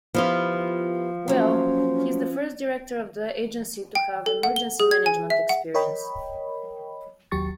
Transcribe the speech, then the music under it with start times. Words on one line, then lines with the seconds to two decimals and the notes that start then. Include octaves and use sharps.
Well, he is the first director of the agency to have emergency-management experience.
0.14 F3 B3 E4 F4 G4
1.28 F#3 A#3 C#4 C5
3.95 G5
4.26 A4
4.43 F#5
4.56 G7
4.80 G#4
4.91 G#6
5.06 G#5
5.30 E5
5.49 F#5
5.74 A#4 C#5 D#5 G5 B5
7.31 D#2 F#3 G4 C#6 A6